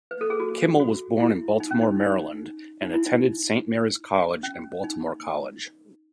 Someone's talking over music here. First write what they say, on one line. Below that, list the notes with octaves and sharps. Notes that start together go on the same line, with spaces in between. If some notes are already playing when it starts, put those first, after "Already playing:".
Kimmel was born in Baltimore, Maryland, and attended Saint Mary's College and Baltimore College.
B4
A4
G#4
F#4
F#4
E4
D#4
C#4
D#4
D#4
D#4
E4
D#4
C#4
D#4